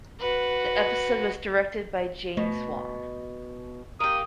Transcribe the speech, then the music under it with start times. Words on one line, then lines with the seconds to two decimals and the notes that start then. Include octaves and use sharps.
The episode was directed by James Wan.
0.19 F#4 B4
2.37 B2 A3
4.00 A#3 G4 D#6